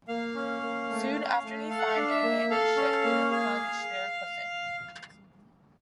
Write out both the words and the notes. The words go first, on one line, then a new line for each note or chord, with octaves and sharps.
Soon after they find an abandoned ship and replenish their equipment.
A#3 F5
C#4
A#3
A3
C#4
A3
A4 F5
F#5
F5
D4
E5
A#3
A4 F5
C#4
A#3
G#4 F5